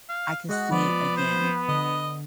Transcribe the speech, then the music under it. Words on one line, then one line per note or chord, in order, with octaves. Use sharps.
I could see it again,
F5
G#3 F#4 D#5 F#5
F3 B3 D5
C5
D3 D#5